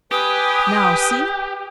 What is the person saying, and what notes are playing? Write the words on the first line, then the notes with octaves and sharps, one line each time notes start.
Now, see!
G4 B4 G5 G#5 D#6